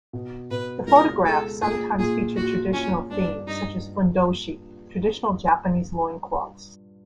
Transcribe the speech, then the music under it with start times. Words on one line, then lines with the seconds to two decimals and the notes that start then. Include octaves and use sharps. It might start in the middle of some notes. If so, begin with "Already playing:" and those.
The photographs sometimes feature traditional themes, such as "fundoshi", traditional Japanese loincloths.
0.13 B2
0.51 B2 B4
0.87 C#2 A#4
1.25 G#3 A4
1.62 A#1 G#4
1.99 A#2 G#4
2.36 A#1 F#4
2.73 A#1 C#4
3.10 G2 D4
3.47 G2 D#4